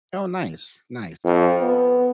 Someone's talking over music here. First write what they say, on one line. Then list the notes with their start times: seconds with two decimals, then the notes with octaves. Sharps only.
Oh, nice, nice.
1.24 F2
1.60 B3